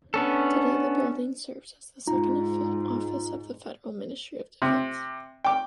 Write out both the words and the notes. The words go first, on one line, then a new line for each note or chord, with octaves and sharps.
Today the building serves as second office of the Federal Ministry of Defence.
B3 C#4 D4 A4
G#2 D#4 F4 A#5
C3
G5 D6